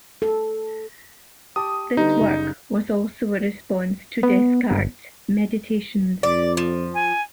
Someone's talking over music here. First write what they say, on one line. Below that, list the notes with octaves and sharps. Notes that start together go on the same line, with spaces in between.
This work was also a response to Descartes' "Meditations".
A4
G4 A5 D6 D#6
D3 G3 B3 D#4
F#1 G3
B3
G1
F2 D5
F3
G#5